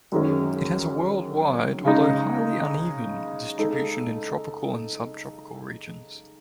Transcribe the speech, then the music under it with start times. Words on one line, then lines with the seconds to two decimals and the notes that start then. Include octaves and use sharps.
It has a worldwide, although highly uneven, distribution in tropical and subtropical regions.
0.12 F#2 D#3 G#3 C#4
1.85 C#3 G#3 D#4
3.58 G#3 D#4 A4